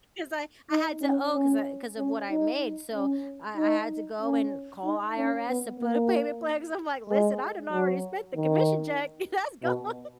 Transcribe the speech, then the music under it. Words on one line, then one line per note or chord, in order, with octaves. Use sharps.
'Cause I I had to owe 'cause I 'cause of what I made, so I I had to go and call IRS to put a payment plan 'cause I'm, like, "Listen, I done already spent the commission check, that's gone,"
D#4
C#4
C#4
C#4
D#4
C#4
D#4
C#4
D#4
C#4
B3
A#3
G#3
F#3
D#3
B2